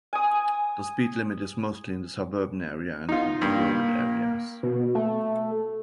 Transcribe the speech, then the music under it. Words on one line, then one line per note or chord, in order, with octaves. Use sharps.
The speed limit is mostly in the suburban area, and in the rural areas.
G#5 D#6
B3 D#4 F4
G2 A#3
B2
A3